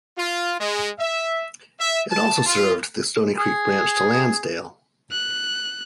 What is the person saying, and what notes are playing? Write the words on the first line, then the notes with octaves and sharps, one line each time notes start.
It also served the Stony Creek Branch to Lansdale.
F4
G#3
E5
E5
A5
F4
G#4
F#6